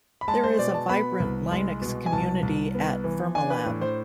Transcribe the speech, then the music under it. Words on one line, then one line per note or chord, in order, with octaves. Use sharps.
There is a vibrant Linux community at Fermilab.
B5
G#3 A5
C5
B2 D5
A5
B3 B5
C2
G#3
B2
G#5
C2 A5
C2
B3
E3
D4 G#5
B4
A2
C5